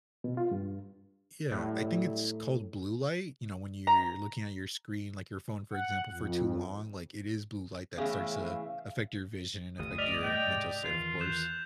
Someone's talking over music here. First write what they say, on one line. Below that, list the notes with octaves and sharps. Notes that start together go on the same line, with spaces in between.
Yeah. I think it's called blue light, you know, when you're looking at your screen, like your phone, for example, for too long, like, it is blue light that starts to affect your vision and affect your mental state, of course.
B2
F4
G2
A2 F#3 G3 E4
A#5
F#5
F2
E2 A2 C#3 E3 E5 F5
G1 D2 D#6
D5 D#5 F6 B6 F7
A2 G3 G5
G#2 C3
E2 D#3 F4
F#6 G6 E7